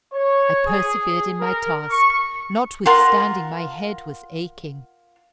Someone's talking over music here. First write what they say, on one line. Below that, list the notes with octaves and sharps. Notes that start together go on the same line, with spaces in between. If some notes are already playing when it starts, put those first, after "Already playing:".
I persevered in my task, notwithstanding my head was aching.
C#5
G#4
A#4
C#6
F4 A#4 F#5 C6